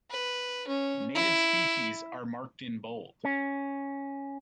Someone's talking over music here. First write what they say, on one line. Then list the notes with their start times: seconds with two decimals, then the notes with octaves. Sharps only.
Native species are marked in bold.
0.11 B4
0.68 C#4
1.15 E4
3.25 C#4